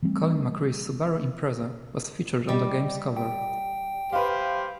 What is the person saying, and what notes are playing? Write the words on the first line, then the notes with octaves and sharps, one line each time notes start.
Colin McRae's Subaru Impreza was featured on the game's cover.
E3 G3 A3 C4
G3 G4 D#5
G5
G4 B4 C5 F5